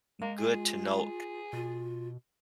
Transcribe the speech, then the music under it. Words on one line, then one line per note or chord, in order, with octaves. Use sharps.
good to note,
G#3 A#3
F4 G#4
B2 F4